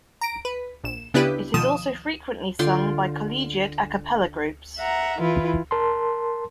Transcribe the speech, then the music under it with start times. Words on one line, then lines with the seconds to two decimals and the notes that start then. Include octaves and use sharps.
It is also frequently sung by collegiate a cappella groups.
0.21 A#5 D7
0.45 B4
0.84 A#1 E7
1.14 C#3 B3 D4 E4 G4 B4
1.54 B2 D#3 F3 D#6 E7
2.59 D3 F4 G5 C6
4.78 E5 F#5 A#5
5.18 E3 E4 F4 B4
5.71 A#4 A5 C6